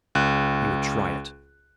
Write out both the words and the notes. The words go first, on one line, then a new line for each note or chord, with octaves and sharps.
He would try it.
C#2 F#6